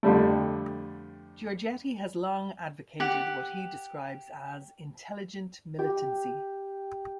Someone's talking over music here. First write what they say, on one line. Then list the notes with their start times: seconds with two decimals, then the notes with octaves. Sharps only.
Georgetti has long advocated what he describes as "intelligent militancy".
0.03 F2 D3 G3 A3
3.00 G4 F#5
5.79 G4